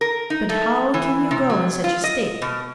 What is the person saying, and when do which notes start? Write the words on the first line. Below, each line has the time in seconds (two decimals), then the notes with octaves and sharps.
But how can you go in such a state?
0.01 A#4
0.30 D#4
0.49 A3
0.94 E3
1.31 C3
1.50 F#3
1.84 F4
2.04 D#5
2.42 B2